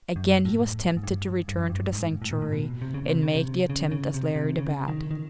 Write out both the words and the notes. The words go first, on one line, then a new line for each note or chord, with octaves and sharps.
Again he was tempted to return to the Sanctuary and make the attempt as Larry the Bat.
F#2
A2
G#2
G2
G2
F#2
G2
G#2
A2
A#2
A2
B2
C3
C#3
C3
C#3
C3
C#3
C#3
C3
C3
C#3
D#3
D#3